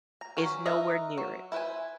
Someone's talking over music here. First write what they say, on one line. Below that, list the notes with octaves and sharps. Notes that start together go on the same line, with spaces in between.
is nowhere near it.
A#5
F#3 C#4 B4
D#4 A#4 B4 D#5 E5
F#3
E4 A4 B4 C5 G#5